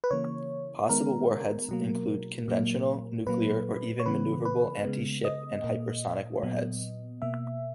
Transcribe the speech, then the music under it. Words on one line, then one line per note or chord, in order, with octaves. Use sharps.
Possible warheads include conventional, nuclear or even maneuverable anti-ship and hypersonic warheads.
B4
C#3 E3 A#3 C#5
D#3 G#3 B3 A#4
B2 F#3 A#3
A#2 F#3 A#3
A#2 F#3 A#3 B4
C#5
C#3 E3 B3 B4
B4
C#3 G#3 B3
D#5
A#2 A#3
A#2 F#3 B3
B2 A#3 E5